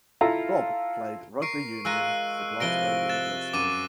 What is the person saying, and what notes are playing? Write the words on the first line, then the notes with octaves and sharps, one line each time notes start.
Robb played rugby union for Glasgow University.
E4 F4 A4 A#5
A#4 C#6 C7 D7
G#3 F4 A#4 E6 F#6 D#7
C3 F3 E4 A#6 D7 G7
F#6 A6 E7
F#2 D6 D#7